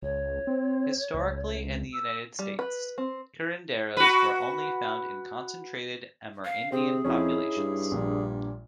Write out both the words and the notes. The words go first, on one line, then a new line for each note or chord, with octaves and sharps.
Historically, in the United States, curanderos were only found in concentrated Amerindian populations.
C#2 C#5
C4
C#2
E6
G3
B4
C4
F#4 B4
F5
C3 C4 G#4
F2 C#4 D#4 E4
G2
A#1 A#2